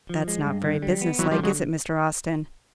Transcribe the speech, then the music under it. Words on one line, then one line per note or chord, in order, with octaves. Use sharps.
That's not very business-like, is it, Mr. Austin?
F3
G#3
G2
D3
G3
B3
F2 E3 F#3
F3 G3
D3
F#3 G#3